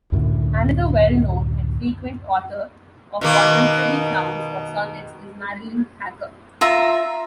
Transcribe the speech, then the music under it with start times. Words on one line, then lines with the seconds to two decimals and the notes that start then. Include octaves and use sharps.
Another well-known and frequent author of contemporary crowns of sonnets is Marilyn Hacker.
0.12 C#2 F#2 A2 D3
3.21 B2 D#3 A#3
6.61 F4 E5 A#5